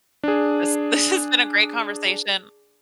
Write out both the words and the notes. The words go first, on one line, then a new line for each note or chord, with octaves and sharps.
This this has been a great conversation.
D4 G#4